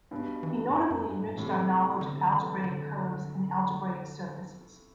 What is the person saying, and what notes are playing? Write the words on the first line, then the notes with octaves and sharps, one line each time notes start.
He notably enriched our knowledge of algebraic curves and algebraic surfaces.
G2 B2
E3
G2
F#2
F#2
G2
A2
A2 C3 E3
D3
E3
D3